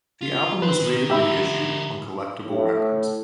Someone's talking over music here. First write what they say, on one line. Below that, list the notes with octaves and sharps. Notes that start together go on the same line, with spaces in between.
The album was later reissued on Collectables Records.
F4
C4 B4 C5
D#3
D3 G4 A#4 E5 B5
A2